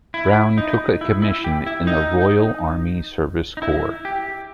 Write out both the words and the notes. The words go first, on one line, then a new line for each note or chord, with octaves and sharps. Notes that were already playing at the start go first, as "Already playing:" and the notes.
Brown took a commission in the Royal Army Service Corps.
E4
D#4
E4
E4
G4
E4
D#4
D#4
E4
G4